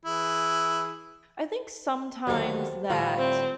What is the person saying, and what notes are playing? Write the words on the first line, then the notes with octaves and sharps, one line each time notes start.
I think sometimes that,
E3 E4 G#4
D#2 D3 F#3 G3 A4 C5 F5
A2 D3 G3 F4 A4 D#5
C4 C5